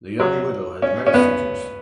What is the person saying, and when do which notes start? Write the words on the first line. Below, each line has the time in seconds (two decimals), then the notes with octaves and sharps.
The young widow had many suitors.
0.20 F#3
0.82 C#4
1.07 C#4
1.14 B3